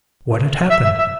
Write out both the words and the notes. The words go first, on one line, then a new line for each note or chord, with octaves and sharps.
What had happened?
E5
E5
E5